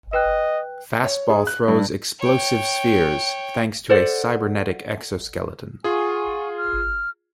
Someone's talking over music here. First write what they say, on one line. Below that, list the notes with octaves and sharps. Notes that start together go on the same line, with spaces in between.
Fastball throws explosive spheres, thanks to a cybernetic exo-skeleton.
B4 D#5 G5 F#6
C#5
G#4
F#6
G2
C#5 G5
A4 C5 D5 F#5
F4 G#4 F#5 G#5 C#6
F6